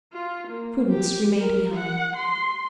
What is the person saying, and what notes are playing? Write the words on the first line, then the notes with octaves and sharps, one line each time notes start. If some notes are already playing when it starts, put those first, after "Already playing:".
Prudence remained behind.
F4
A#3
G4
A#4
F#5
C6